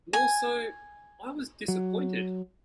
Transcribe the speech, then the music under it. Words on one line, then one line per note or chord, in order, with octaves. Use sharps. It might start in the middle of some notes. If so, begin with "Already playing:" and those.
More so, I was disappointed.
G#5
F#3